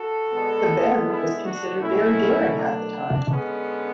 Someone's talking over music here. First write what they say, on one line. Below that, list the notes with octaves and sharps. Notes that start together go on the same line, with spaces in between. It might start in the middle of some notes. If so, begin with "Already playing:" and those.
The "bend" was considered very daring at the time.
Already playing: F#4 A4
D3 G#3 B3
E4 G#4
D4 F#4
B2 F#3 A3 C#4 E4
D4
D3 G#3 B3 C#4